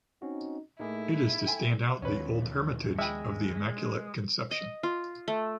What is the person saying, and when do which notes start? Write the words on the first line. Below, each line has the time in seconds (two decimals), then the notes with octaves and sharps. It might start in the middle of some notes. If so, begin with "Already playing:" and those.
It is to stand out the old hermitage of The Immaculate Conception.
0.22 C4 C#4 D#4 F#4
0.80 A2 A3 A#3 D#4 E4 G#4
1.46 A3 G5 G#5
2.02 D#2 D#3 F3 C#4 B4
2.99 G#3 E5 G5 B5
4.51 D#5
4.83 F4
5.28 A3